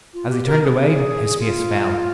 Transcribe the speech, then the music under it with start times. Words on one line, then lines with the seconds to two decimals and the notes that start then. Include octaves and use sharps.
As he turned away his face fell.
0.14 F4
0.29 G4
0.46 A#4
0.61 A#4
0.65 G#4
1.39 F4